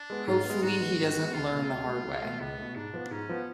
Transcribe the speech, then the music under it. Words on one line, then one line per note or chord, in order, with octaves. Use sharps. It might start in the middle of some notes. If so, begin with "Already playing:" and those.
Hopefully he doesn't learn the hard way.
Already playing: D4
G#3 B3
G#2 F4
G#3 B3
G#2 F#4
G#3 B3
G#2
G#3 B3
C#2 F4
B2
A3
C#2
B2 A3
C#2
B2 A3
C#2 B3
B2 A3
G#2 D4
F3 B3
G#2 C#4
F3 B3